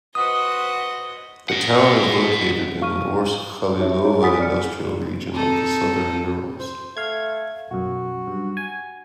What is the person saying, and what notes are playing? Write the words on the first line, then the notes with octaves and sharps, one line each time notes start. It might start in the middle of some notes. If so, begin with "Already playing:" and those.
The town is located in the Orsk-Khalilovo industrial region of the southern Urals.
F#4 B4 C5 D#5 F#5 D#6
D#5 F#5
F5 C#6 F6 D#7
D#4 G4 C#5 E5
D#4 E4 G4 G#4 C#5
F#5 G#5 B5 D#6 A6 B6
A4 D5 F6 C#7
C4 D#4 A4
C5
A3 F5 G#6
B1 F#2 F#4
G2
G#5